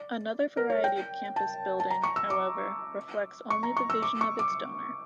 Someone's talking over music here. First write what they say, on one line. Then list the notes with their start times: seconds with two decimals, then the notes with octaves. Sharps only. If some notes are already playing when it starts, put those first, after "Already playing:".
Another variety of campus building, however, reflects only the vision of its donor.
Already playing: D5
0.57 A#4
0.70 C#5
0.84 G5
1.36 A5
1.80 A5
1.90 A#5
2.04 C#6
2.16 E6
2.30 D6
3.50 C#6
3.63 A#5
3.77 C#6
3.90 E6
4.02 D6
4.21 C#6
4.39 D6